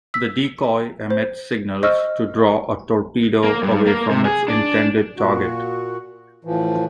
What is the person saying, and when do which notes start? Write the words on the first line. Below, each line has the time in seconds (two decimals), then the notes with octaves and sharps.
The decoy emits signals to draw a torpedo away from its intended target.
0.14 E6 B6
1.10 C5
1.83 C5 D#5 C#6 E6 F6
3.44 A#3
3.63 G2
3.87 A#3
4.10 C3
4.25 G#4
4.48 D4
5.18 A#2 F#4
6.45 A2 E3 F3